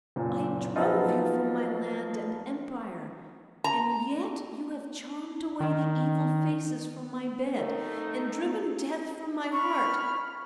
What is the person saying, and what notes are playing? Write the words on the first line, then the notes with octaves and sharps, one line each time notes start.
I drove you from my land and empire, and yet you have charmed away the evil faces from my bed, and driven Death from my heart!
F#1 A#2
F3 F#3 B3 D#4 F4
A#5
D#3
A3 D#4 A4 A#4 C#5
B5 C#6 F6